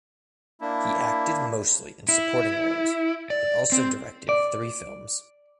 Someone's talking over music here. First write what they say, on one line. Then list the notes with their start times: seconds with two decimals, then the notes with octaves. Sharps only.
He acted mostly in supporting roles and also directed three films.
0.61 A#3 D4 E4
2.09 E4
3.30 D5
3.72 C4
4.29 D5